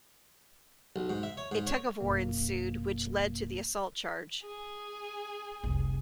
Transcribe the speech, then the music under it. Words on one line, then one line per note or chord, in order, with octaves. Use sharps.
A tug of war ensued which led to the assault charge.
B1
G#2
E5
C#5
G#2
C#5
G1 F#2 B2 A#3
G#4 G#5
F1 C2